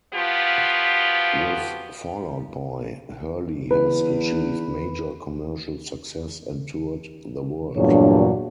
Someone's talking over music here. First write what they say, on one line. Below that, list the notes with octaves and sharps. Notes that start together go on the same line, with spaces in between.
With Fall Out Boy, Hurley has achieved major commercial success and toured the world.
F3 F#3 B3 F4 G4
E2 B4
E2 G2 A#2 F#3 D4 C#5